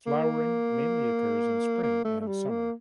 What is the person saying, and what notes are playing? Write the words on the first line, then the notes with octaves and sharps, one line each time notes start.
Flowering mainly occurs in spring and summer.
A#3
A#3
A3
A3
G3
A#3